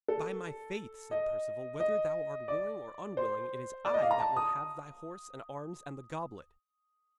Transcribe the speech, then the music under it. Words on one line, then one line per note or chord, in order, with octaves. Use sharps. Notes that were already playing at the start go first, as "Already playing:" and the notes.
'By my faith,' said Perceval, 'whether thou art willing or unwilling, it is I that will have thy horse and arms and the goblet.'
A4
D#5
D#5
D5
C5
D5
D#5
F5
A#5
A5
D#6